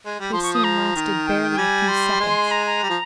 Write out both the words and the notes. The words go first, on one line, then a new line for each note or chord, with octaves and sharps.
This scene lasted barely a few seconds.
G#3
G3
F3 C6
C#6
D#6
A#5
D#3
G5
G5
G5
G3 G#5
C6
G#3
A#5
A#5
G3
F3